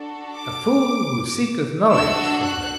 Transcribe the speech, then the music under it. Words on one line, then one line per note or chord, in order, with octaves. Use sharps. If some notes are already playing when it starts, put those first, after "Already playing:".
A fool who seeketh knowledge from them!
Already playing: D4 F#4 A4
D6
D4 F#4 A4 E6
F#6